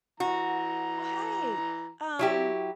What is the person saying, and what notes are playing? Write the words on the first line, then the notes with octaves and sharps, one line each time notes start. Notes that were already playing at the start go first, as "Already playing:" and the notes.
Right! Um,
E3 F#4 A#5
F#3 E4 G4